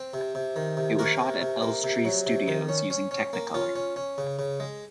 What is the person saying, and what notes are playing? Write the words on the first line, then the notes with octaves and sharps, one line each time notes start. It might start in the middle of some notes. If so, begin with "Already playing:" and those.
It was shot at Elstree Studios using Technicolor.
Already playing: C4
C3
C3
D#3
C3
A#3 F#4 A#4
C3
C3
A#3
C3
F#3
C3
D#3
C#4
C#4
C#4
A#3
C#4 F4
C#4
C#4
C#3
C#3
G#3